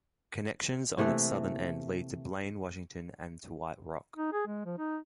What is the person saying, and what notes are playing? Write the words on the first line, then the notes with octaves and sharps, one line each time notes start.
Connections on its southern end lead to Blaine, Washington and to White Rock.
C3 E3 A3 A#3
D#4
G#4
G#3
F3
D#4